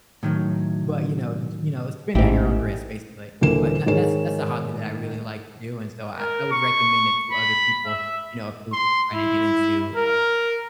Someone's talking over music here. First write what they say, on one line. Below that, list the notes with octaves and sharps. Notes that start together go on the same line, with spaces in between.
but, you know you know, spin at your own risk, basically. But that that's that's a hobby that I really like to do, and so I I would recommend it to other people, you know, if they were trying to get into a
A2 D#3 F#3
A1 G#2 E4 G4
D#1 D3 E3 A#3 E7
G#2 D#3 G#4 A#4 C#5 E7
A#4
C#6
B5
E5
C6
E4
A#4